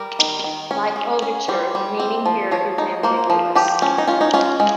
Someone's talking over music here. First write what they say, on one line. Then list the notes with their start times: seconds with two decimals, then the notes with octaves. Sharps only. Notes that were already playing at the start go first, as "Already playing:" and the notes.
Like "Overture", the meaning here is ambiguous.
Already playing: G3 A#4
0.19 D#3
0.44 D#3
0.71 C#4
0.96 C#4
1.22 C#4
1.48 G3 C5
1.75 G3
2.00 C4
2.26 F3
2.51 F3 C#5
2.78 D#4
3.03 A#3 C5
3.30 F3
3.55 F3 G4
3.82 C#4
3.98 D#4
4.08 C#4 F4
4.21 D#4
4.34 C#4 F4
4.60 G#3